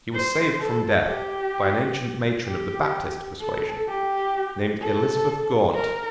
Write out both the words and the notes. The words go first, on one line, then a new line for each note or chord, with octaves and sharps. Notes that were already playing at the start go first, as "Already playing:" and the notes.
He was saved from death by an ancient matron of the Baptist persuasion, named Elizabeth Gaunt.
C5
A4
G4
G4
A4
G4
A4
A#4